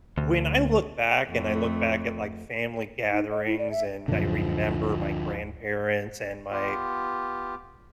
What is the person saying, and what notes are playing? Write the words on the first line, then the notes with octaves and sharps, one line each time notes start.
when I look back and I look back at, like, family gatherings, and I remember my grandparents and my
D2
F2 A3
D#4
D#5
E4
D5
E5
D1 F#2 A#2 D3 F3
B3 F4 G4